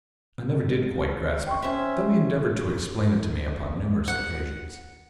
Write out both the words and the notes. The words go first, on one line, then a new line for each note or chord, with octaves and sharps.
I never did quite grasp him, though he endeavored to explain it to me upon numerous occasions.
G5 C6 C#6
C#4 C5 E5
F#5